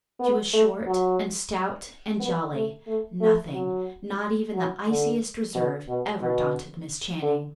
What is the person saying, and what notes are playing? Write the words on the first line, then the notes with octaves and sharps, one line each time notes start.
She was short and stout and jolly; nothing, not even the iciest reserve, ever daunted Miss Channing.
B3
A3
F#3
B3
A3
A3
A3
F#3
F#3
D3
B2
B2
B2
D3